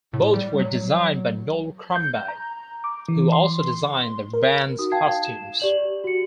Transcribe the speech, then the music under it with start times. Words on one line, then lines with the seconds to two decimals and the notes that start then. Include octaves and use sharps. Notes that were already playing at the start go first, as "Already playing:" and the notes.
Both were designed by Noel Crombie, who also designed the band's costumes.
0.13 A2
0.34 G3
0.59 F#3
1.96 G6
2.28 A#5
2.84 D6
3.09 E3
3.32 C6
4.33 A#4
4.79 D#4 F#4 D#6
4.92 F5 G5 A5 G#6 C7
5.25 E7
5.60 G4 D5 F#7
6.04 F#4 C#7